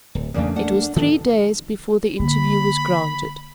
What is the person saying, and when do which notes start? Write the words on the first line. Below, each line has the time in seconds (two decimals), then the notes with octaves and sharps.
It was three days before the interview was granted.
0.15 D1
0.34 E2 C#3 A3 A#3 D4
0.56 D4 F#5
0.96 D#3 B3 A4
2.20 D3 A#3 B5